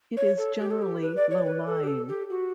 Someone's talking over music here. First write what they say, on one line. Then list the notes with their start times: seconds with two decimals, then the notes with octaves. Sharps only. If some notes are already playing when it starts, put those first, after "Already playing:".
It is generally low lying.
0.17 C#5
0.38 A4
0.60 G4
0.71 A4
0.82 G4
1.02 B4
1.16 D5
1.31 C#5
1.45 B4
1.66 A4
1.84 G4
1.87 A4
2.09 G4
2.30 F#4